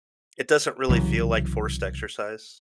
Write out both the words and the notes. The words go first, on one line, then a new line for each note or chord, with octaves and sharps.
it doesn't really feel like forced exercise.
C2 C#3 E3 F#3